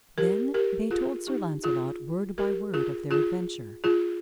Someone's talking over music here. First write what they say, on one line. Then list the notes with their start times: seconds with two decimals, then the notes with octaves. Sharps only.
Then they told Sir Launcelot word by word of their adventure.
0.18 G4 A#4
0.54 G4 A#4
0.91 F4 G#4
1.27 D#4 G4
1.64 F4 G#4
2.38 G4 A#4
2.74 F4 G#4
3.11 F4 G#4
3.84 F4 G#4